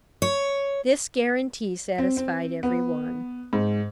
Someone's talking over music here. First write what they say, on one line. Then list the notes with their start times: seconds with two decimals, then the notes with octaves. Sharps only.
This guarantee satisfied every one.
0.22 C#5
1.98 C4
2.17 C4
2.63 B3
3.53 G#2